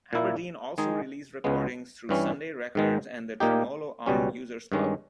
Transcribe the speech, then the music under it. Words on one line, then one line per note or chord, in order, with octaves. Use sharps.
Aberdeen also released recordings through Sunday Records and the Tremolo Arm Users Club.
A#2 A#3 E4
D#3 G#3 D#4 G#4
C#2 C#3 G#3 B3
G2 E3 G3 C#4
G#2 D#3 G#3
A#2 A#3 D#4 G4
C#2 B2 G3 C#4
G2 D#3 G#3 C#4